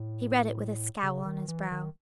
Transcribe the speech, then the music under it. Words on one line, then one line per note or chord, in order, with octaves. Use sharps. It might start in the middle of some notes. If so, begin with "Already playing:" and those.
He read it with a scowl on his brow.
Already playing: A2
C#3
D#3
E3
D#3